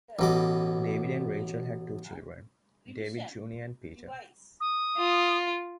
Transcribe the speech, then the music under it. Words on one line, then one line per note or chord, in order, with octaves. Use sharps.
David and Rachael had two children, David Junior and Peter.
A1 B2 D6
D#6
F4